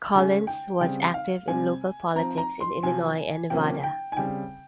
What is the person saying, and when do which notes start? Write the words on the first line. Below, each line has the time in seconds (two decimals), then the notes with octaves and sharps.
Collins was active in local politics in Illinois and Nevada.
0.14 C#3 G#3 C#4 G#5
0.47 G5
0.80 C#3 G3 C4 G5
1.14 F5
1.48 C3 G3 C4 G#5
2.15 F3 C4 A#5
2.38 A#5
2.60 C6
2.83 C3 F3 C4 G#5
3.50 C3 F3 A#3 C#4 G5
3.84 G5
4.12 G#5
4.17 C#3 G3 C4 G5